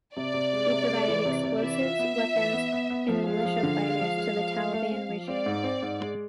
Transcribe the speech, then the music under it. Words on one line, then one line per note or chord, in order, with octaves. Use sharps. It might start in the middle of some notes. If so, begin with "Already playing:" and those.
He provided explosives, weapons, and militia fighters to the Taliban regime.
C3 D5
C3
G#3
C3
G#3
E3
C3
C3
E3 E5
F4
B3
F4
E3
B3
B3
B3
F3 F5
G#3
F3
D3
G#3
F3
G#3
F3
A3
A3
C4
F3
C4 D5
G#2
C4
G#2
G#3